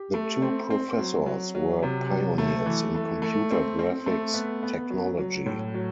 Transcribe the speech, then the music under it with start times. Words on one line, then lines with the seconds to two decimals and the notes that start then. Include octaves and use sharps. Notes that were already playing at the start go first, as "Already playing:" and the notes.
The two professors were pioneers in computer graphics technology.
Already playing: G4
0.14 A3
0.42 C4
0.70 C4
0.98 F#3
1.26 F#3
1.55 F#3
1.83 C3
2.10 F#3
2.38 A3
2.66 E3
2.95 A3
3.22 A3
3.51 C4
3.79 C4
4.06 A3
4.34 B3
4.63 B3
4.90 F#3
5.18 F#3
5.46 A2
5.74 F#3